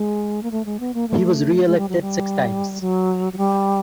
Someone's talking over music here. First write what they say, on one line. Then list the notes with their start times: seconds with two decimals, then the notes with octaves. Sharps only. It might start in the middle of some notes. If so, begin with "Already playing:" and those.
He was reelected six times.
Already playing: G#3
0.43 A#3
0.51 A3
0.65 G#3
0.80 B3
0.94 A#3
1.08 A3
1.66 G#3
1.78 G3
1.89 F#3
2.01 G3
2.81 F#3
3.33 F#3
3.37 G3